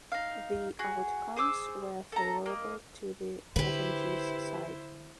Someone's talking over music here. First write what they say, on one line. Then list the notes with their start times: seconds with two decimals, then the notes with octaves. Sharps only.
The outcomes were favourable to the Katangese side.
0.12 D#4 F5
0.79 F#4 G#4
1.36 G#4 C5 D6 E6
2.12 A4 A#5
2.46 A#3 D#5
3.56 D3 E4 G4 B4 C5